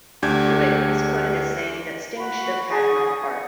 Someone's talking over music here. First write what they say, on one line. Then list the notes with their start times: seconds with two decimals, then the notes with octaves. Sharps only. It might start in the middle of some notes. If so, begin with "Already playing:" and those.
Hewitt is quoted as saying that Sting should have had my part.
0.22 D2 D4 G4 G6 G#6
2.17 F#4 B5
2.70 G#4 G#5 C#6 D#6
3.23 F#5